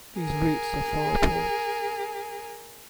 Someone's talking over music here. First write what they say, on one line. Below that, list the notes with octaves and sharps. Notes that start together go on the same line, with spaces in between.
These roots are far apart.
G#4 A#4